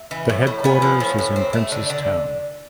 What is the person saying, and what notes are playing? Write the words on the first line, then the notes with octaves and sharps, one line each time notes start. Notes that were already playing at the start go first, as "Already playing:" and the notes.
The headquarters is in Princes Town.
Already playing: E5
E3
A2
A2
B3 G#5
F3
A2
A2
C4
A3
D3
D3